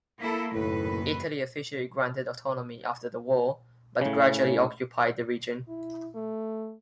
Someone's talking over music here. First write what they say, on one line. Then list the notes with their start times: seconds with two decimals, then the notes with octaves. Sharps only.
Italy officially granted autonomy after the war, but gradually occupied the region.
0.18 A#3 E4 A4
0.53 F#1 D#2 A2 B4
4.01 A2 C#3
5.68 E4
6.15 A3